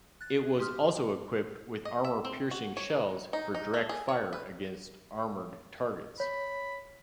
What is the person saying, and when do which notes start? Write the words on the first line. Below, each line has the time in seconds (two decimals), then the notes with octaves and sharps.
It was also equipped with armour-piercing shells for direct fire against armoured targets.
0.21 F#6 A6
0.37 G#4
0.59 G4 C6 D#6 F6
1.85 D#5
2.04 E5
2.25 C4
2.51 F#4
2.77 C#5
2.90 D#3
3.33 D#4
3.55 D#4
3.74 A3
3.89 G#4
4.09 C#5
4.33 B4
6.20 C#5 B5